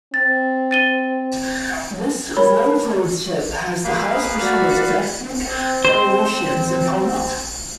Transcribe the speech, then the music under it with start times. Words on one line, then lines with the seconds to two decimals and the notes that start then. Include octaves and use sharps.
This voivodeship has the highest percentage of ethnic Belarusians in Poland.
0.14 C4 A6
0.71 A6 D#7 G7
2.37 A#4 C#5 B5
3.85 A#3 G#4 B4 F5 B5
4.40 F#4 D5
5.46 C4
5.85 C5